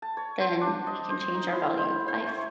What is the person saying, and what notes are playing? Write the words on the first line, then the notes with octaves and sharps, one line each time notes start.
then we can change our value of life.
A5
C#5
C5
D4
D#5
C5
D#4
E4
C5
C5
C#5